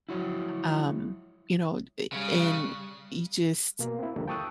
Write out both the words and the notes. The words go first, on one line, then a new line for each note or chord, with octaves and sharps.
um, you know? Eh, and you just
F3 F#3 G#3 E4 F#4 C#5
C#3 G3 D#6 F#6
B2 A#3
C4 E4
D#2 D3 F3 G3 A#3
G5 A5 C#6 D#6 E6 F#6